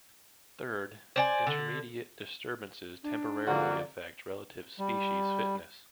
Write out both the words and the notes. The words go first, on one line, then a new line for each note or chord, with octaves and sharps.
Third, intermediate disturbances temporarily affect relative species fitness.
C5 D5 G#5
D3
D4
C2 F2 A#2 D3 A#3 F#4 D5
G3